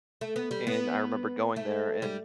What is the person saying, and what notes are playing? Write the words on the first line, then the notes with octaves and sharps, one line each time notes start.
and I remember going there, and,
A3
B3
G3
B3
A3
G3